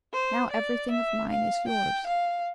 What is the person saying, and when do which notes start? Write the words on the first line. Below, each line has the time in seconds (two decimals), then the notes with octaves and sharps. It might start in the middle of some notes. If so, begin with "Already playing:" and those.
Now everything of mine is yours.
0.13 C5
0.51 D5
0.90 E5
1.29 F5
1.68 G5
2.07 F5